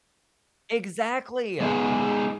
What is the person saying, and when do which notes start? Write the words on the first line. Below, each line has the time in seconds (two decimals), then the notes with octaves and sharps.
Exactly, uh!
1.60 G#3 B3 D#4 G#4